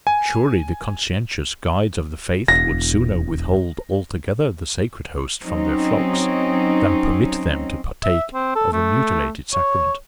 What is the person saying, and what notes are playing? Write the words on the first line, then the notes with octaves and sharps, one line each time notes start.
Surely the conscientious guides of the faith would sooner withhold altogether the Sacred Host from their flocks than permit them to partake of a mutilated Sacrament.
G#5
E1 A#6
F#3 C4 C#4 D#4
E5
C4
A4
A3
C#5